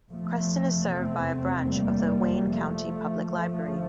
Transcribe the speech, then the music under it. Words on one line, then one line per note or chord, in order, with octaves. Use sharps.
Creston is served by a branch of the Wayne County Public Library.
F1 E2 C3 F3 A3
A3 C4
G3 A#3
F3 A3
G1 G2 F3 A3